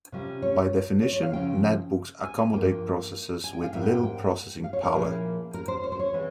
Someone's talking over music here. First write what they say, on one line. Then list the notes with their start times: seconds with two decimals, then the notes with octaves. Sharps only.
By definition netbooks accommodate processors with little processing power.
0.12 C3 G3 C#4 F4
0.42 C#5
1.03 C#5
1.13 C#5
1.23 F5
1.33 C#3 F3 C4 E4 G5
2.23 G#5
2.53 G2 F3 A#3 F4 G5
3.44 G#5
3.53 G5
3.63 F5
3.73 G#2 G3 A#3 E4 E5
3.83 G5
3.93 G5
4.03 G5
4.64 F5
4.73 C#5
4.83 A#4
4.94 A#2 F3 A#3 C#4 E4 G#4
5.54 A#4
5.68 C5
5.83 C#5
5.92 C5
5.99 C#5
6.14 E3 G#3 C4